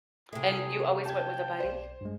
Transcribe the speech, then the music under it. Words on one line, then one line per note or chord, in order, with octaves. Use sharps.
And you always went with a buddy?
C3 E4 G#4 A4
G5 A5 G#6
B1 C5 D5
G2 G#3